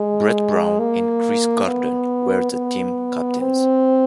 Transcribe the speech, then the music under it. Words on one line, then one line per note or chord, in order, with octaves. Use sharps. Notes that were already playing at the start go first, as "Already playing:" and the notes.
Brett Brown and Chris Gordon were the team captains.
Already playing: G#3
A#3
B3
B3
C4